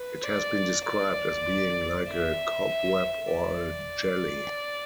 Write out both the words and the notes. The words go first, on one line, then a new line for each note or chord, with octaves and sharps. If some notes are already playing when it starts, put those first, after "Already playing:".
It has been described as being like a cobweb or a jelly.
Already playing: B4
D5
D5
E5
D5